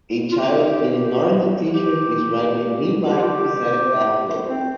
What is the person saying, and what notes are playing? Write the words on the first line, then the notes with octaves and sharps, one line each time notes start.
A child in an orange tshirt is riding a green bike beside a pathway.
F4
G4
G4
G4
F4
G4
C4